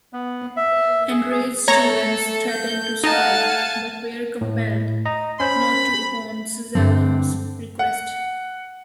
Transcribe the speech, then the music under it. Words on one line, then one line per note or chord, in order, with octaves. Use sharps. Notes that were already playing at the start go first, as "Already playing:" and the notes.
Enraged students threatened to strike, but were compelled not to upon Suzzallo's request.
B3
E5
G#4
G#4
A3 A4 C#5 A#5
G6
D#4 F5 F#5 G#5 A5
A2
D#5 A#5
C#4 C5 B5
G2 D3 C4
F#5